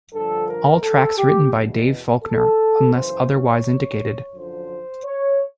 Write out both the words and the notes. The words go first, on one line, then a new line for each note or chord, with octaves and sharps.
All tracks written by Dave Faulkner unless otherwise indicated.
G2 D3 F3 A4
A#4
A4
G4
E2 B2
A4
F#2 C#3 E3 C5
C#5
F#2 D3 F3 C5
C#5